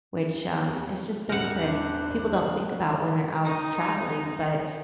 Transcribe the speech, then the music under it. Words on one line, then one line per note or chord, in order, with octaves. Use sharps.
which, um, it's just things that people don't think about when they're out traveling, but,
E1 A1 C4 A#4 F#5 G6
D4 C5 F#6
D#4